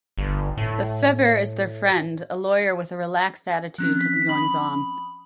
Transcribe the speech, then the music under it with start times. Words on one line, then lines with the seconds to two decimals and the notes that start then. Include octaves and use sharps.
Lafever is their friend, a lawyer with a relaxed attitude to the goings on.
0.18 G1
0.58 A2
3.78 F3 C4 C#4 F#6
3.99 B6
4.29 B5 D#6 F#7